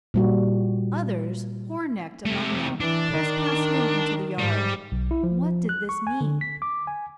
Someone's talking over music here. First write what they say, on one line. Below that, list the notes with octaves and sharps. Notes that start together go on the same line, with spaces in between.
Others, Hornecht among them, pressed past him into the yard. What did this mean?
A#2 G3 F#4
C3 A3
E3 D4
D#3
G#2 G3
B1
E4
F3
F#6
C#6
G#5
D3
B6
D6
G#5